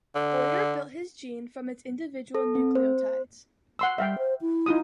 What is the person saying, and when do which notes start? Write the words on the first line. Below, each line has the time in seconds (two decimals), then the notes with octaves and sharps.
Boyer built his gene from its individual nucleotides.
0.15 D3
2.35 A4
2.55 C4
2.75 C5
3.79 F#5 C6 E6
3.98 G3 E5 F5 G5
4.18 C5
4.41 E4
4.66 D#4 F4 D#6